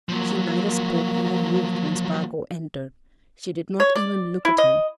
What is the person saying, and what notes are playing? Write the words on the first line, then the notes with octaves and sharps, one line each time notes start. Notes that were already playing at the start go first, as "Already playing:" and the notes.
She neither spoke nor moved when Spargo entered: she did not even look at him.
F3 F#3 A#3
C#5
D5
E4
D#5